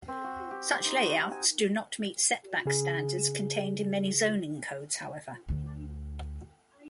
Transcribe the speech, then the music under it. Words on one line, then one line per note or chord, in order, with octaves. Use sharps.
Such layouts do not meet setback standards contained in many zoning codes, however.
C4
F#4
G4
C6
D#4
F#4
D#4
G#5
C#3 G#4
D2 D3